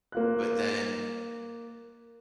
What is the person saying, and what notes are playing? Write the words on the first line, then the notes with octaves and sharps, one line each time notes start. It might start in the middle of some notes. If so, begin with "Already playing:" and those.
but then
A#3 F4 F#6